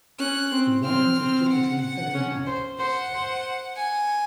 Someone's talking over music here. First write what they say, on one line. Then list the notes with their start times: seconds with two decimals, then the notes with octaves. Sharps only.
The lines are typically very narrow at this stage.
0.19 C#4 F#6
0.52 C4
0.84 C4 F6
1.17 C4
1.49 F#5
1.81 F#5
2.14 C#4
2.47 C5
2.79 C5 F#5
3.12 C5
3.77 G#5